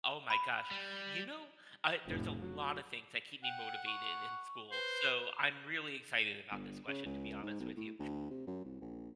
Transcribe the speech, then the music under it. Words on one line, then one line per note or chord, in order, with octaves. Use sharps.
Oh my gosh. You know, uh, there's a lotta things that keep me motivated in school. So I'm really excited about this question to be honest with you.
B5
G3
F1 A2
F#3
F#5 G5
C#6
B4 C5
G1
C#3
C#2
G#2
B1
A2
D2
C3
F#2
C2
A#1